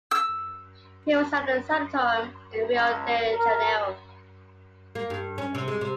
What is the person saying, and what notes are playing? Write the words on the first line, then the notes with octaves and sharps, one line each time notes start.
He was at a sanatorium in Rio de Janeiro.
E6
C#2
A#4
A#3
G2
C#4
C3
G#3
C3